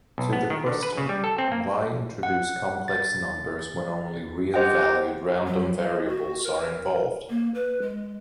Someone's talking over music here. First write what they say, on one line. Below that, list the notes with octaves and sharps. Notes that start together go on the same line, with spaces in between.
To the question Why introduce complex numbers when only real-valued random variables are involved?
B1
B3
D#3
D3
B4
C#3
G3
A4
C4
A#3
F#5
A6
G4 C5 D#5 F#5 G5
F#3
D#5
F#4
A#4
A#3
B4
G#3